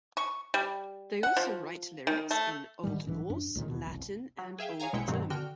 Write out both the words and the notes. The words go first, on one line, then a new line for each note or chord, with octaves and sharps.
They also write lyrics in Old Norse, Latin, and Old German.
C#6
G3
F#5
F3
D#3
A3
G#2 D#3 G3
B1 G#2 E3
F#2 D4
C#2 A#2 D#3
D#2 B2
F#1 C2
F#3
G#4 E5 F5 G5
G#4 C#5 F5 G#5 A#5
A#1 B2 G#3 E4 G5 C#7
C2 G2 B2 D#3 F#3 C4
D3 F#4 G5 F6